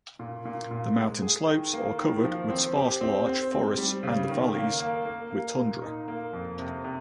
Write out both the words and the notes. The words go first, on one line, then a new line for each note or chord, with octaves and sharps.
The mountain slopes are covered with sparse larch forests and the valleys with tundra.
A#2
A#2
A#2
G#3
G#4
D#3
A#3
D#3
F3
C4
G4
C4
C4
C4
G3
C#3
D#3
A#3
A#3
A#3
A#3
A#2
D#4
A#3
F2
C3
C3